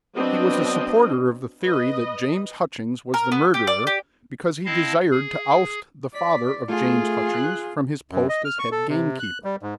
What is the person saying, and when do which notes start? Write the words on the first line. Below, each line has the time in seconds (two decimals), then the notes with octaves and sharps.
He was a supporter of the theory that James Hutchings was the murderer because he desired to oust the father of James Hutchings from his post as head-gamekeeper.
0.14 F#3 B3 C4 D4 D#5
1.63 B4 D#5
3.14 A#4
3.32 B3
3.54 G4
3.67 D5
3.87 G4
4.66 C4 E4 D#5 F5 A5
5.11 G#4
6.14 D5 B6
6.69 A3 F4 G#4
7.33 F#6
8.11 F#2
8.29 D#5
8.45 F6
8.59 C#6
8.72 A4
8.88 C3
9.20 F#6
9.44 G3
9.63 G#2